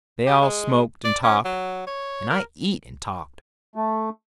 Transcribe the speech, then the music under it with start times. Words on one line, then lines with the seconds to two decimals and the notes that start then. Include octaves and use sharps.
They all smoked and talked, and I eat and talked.
0.27 G4
0.42 G#3
1.05 D5
1.23 C#4
1.45 F#3
1.87 C#5
2.30 A#4
3.76 A3